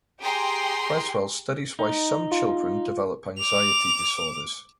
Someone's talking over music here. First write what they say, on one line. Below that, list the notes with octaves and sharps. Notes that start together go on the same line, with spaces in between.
Creswell studies why some children develop anxiety disorders.
G4 G#4 G5 A#5 C6
D#4
F4
D6 F7